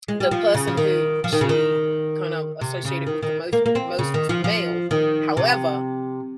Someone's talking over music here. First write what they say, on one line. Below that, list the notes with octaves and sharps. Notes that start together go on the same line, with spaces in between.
the person who she kind of associated with the most with the most was the male. However,
G#3
G3
F3
C#3
F3
D#3
F3
D#3
C#3
D#3
C3
C#3
D#3
D#3
A#3
A#3
C4
C#3
D#3
F3
F3
D#3
C3